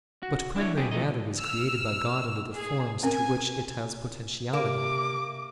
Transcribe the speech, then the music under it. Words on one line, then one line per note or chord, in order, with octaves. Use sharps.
But primary matter was created by God under the forms to which it has potentiality.
F#4
D4 E4 C#5
F#3 B3 C4 D4 G4 G#4
E3 F3 A3 D#4 D#5
E6 F6
G#4
C4 C#4 A#4 G#5
C3 A#3 D6